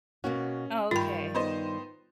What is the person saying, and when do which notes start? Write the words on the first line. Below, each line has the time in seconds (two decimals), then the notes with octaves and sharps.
Oh, okay.
0.24 B2 A#3 C#4 F#4
0.91 G2 D#3 G3 F4 G5 B5 A6
1.34 B3 D#4 C5